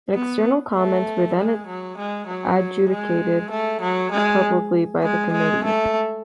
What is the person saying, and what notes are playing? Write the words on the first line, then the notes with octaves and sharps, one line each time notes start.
External comments were then adjudicated publicly by the committee.
B3
A3
G#3
F#3
G#3
F#3
G#3
A3
F#3
G#3
G#3
G#3
A3